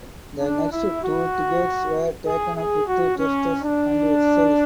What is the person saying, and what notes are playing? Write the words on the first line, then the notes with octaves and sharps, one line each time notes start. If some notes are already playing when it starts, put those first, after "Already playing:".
The next two decades were taken up with tests and exercises.
D4
E4
F#4
G#4
G#4
F#4
C#4
D4